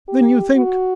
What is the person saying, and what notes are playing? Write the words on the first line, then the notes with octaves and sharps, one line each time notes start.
"Then you think--?"
G4
F#4